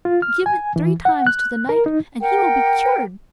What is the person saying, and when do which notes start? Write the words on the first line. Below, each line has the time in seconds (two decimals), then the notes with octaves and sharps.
Give it three times to the knight and he will be cured.
0.05 F4
0.22 F6
0.46 G#5
0.76 E3
1.05 F#5
1.27 F#6
1.69 A#4
1.86 D#4
2.21 A#4 F#5 G5